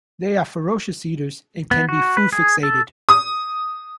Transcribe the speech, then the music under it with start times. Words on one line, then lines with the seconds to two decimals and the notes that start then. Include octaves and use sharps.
They are ferocious eaters and can be food fixated.
1.71 B3
1.89 F#4
2.17 B4
2.33 G#4
2.63 A4
3.09 D#6